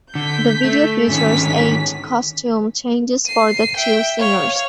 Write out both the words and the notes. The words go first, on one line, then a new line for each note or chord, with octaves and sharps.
The video features eight costume changes for the two singers.
D3 G6 B6
A3
G#2 D3 D#3 C#4 B6
C7 D#7
E5 G5
C#5 F5